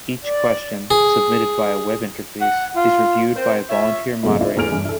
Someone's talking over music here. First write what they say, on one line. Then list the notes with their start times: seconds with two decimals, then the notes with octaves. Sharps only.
Each question, submitted via a Web interface, is reviewed by a volunteer moderator.
0.22 D5
0.91 G#4
2.41 F#5
2.76 F4
3.35 C4 A#4 C5
3.69 F4 C#5 E5
4.23 F#1 G#2 B2 A3 A#3 E4
4.41 E4 F4 C5 D5
4.57 E2 E3 A3 F6 D7 F7
4.72 G2 E3
4.85 E4 A4